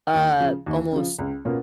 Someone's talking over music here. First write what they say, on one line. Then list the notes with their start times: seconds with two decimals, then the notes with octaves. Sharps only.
uh, almost,
0.14 D#2
0.40 C#3 F3
0.66 D#2
0.92 C#3 F3
1.18 C#2
1.45 B2 A#3 C#4 F4